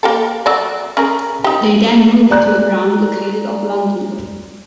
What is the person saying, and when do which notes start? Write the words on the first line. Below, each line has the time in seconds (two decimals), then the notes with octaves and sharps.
They then moved to a ground located off London Road.
0.03 A#3 G4 A4
0.46 F#3 F#4 D5
0.97 C#4 G#4 A#4
1.44 D#4 G4
2.31 D5 A#5 F#6